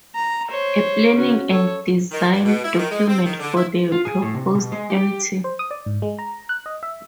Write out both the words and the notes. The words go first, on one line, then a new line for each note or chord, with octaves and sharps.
A planning and design document for the proposed Mt.
A#5
C5 C#5
C#4 F#4
A4 C#5
D#3
G2
B2
E4
D#3
G#3
C4
D#3
D3
E4
F4
G#4
A2
C3
B2
G#3
G4
C5
D#6
D5
G#2
G#3
A#5
F#6
D#5
E5